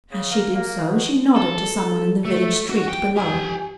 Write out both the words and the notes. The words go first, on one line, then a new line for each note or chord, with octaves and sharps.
As she did so she nodded to someone in the village street below.
C#3
A#3
A#3
B2
A4
A3
F#4
G5
G4 G#5